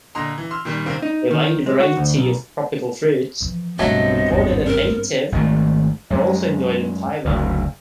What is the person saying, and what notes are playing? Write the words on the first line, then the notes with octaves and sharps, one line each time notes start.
A wide variety of tropical fruits, imported and native, are also enjoyed in Taiwan.
A#2 D3 D#5 A#5 C6
E3
C6 E6 F6
A#2 D#3 G3
C3 D#3 A#3 C4
D#4
D#3
G#3
F#4
D2
B1
E3 F3
B1 G2 C#3 F#3 A3 B3 C4 D#5
G#1 E2
A#4
G#1 D#3 G#3 A3
F#2 G#3
F#1 D2